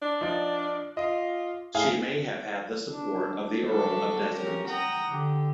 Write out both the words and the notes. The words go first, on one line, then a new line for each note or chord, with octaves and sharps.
She may have had the support of the Earl of Desmond.
D4
F3 D#4 D5
F4 D#5
A2 G#4 F5
D4
F#3 G3 D4 F#4 A4
C#4 G4 A#4
F#5 G5 A#5 D#6
D3 G4